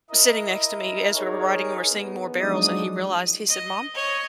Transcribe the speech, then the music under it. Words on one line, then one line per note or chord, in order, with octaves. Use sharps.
sitting next to me as we were riding and we're seeing more barrels and he realized, he said, "Mom"
E4 A#4 D#5
D#4 G#4 A#4 C#5
B3
F3 F#3 G#3 D4 D#4 D#6
D#5
C#5 D#5